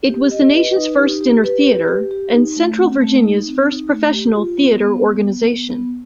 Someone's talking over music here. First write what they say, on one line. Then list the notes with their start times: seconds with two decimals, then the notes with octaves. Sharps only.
It was the nation's first dinner theater and central Virginia's first professional theatre organization.
0.09 G4
0.31 D#5
0.54 B4
0.76 D#4
0.98 G4
1.21 G4
1.44 B4
1.66 G4
1.88 G4
2.11 G4
2.33 D#4
2.56 A3
2.78 C4
3.00 A3
3.24 D#4
3.46 C4
3.68 D#4
3.90 A3
4.13 G4
4.36 F4
4.58 B3
4.80 B3
5.02 B3
5.25 B3
5.48 B3
5.70 B3